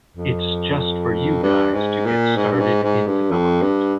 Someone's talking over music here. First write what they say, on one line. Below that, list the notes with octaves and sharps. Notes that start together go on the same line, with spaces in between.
It’s just for you guys to get started in development.
F2
G2
G#2
A#2
G#2
G2
G#2
G#2
G2
F2
G2